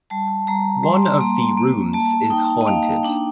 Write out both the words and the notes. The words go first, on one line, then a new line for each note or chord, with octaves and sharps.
One of the rooms is haunted.
G3 A5
G3 A#5
G3 C6
C6
A#3 A#5
C6
A#3
A#3 A5
D#4 G5
D#5
A#3 F5
D4 G5